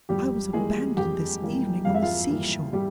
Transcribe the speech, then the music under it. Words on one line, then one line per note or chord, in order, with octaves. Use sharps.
"I was abandoned this evening on the sea-shore."
F2 G3 G4
E3 G3 G#3 A#3 G#4
F2 G4 G5
E3 G3 A#3
F2 F5
E5
F4 F5
E3 G3 A#3
G3 G4